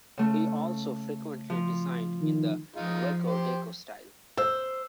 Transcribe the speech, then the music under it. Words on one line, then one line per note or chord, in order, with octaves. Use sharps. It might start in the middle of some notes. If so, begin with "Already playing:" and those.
He also frequently designed in the Greco Deco style.
C#3 A3
F3
D#3
F3 G#3 D#4 F4
G4 C5
C5 E6